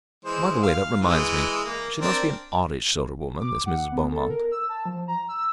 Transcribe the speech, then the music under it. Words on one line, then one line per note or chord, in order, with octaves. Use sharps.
By the way, that reminds me, she must be an oddish sort of woman, this Mrs. Beaumont.
E3 G#3 C5
F5
E3 G#3
A#3
C4 D4 A#4
D6
F#5
B3
A4
A#4
E6
A5
F3
A#5
E6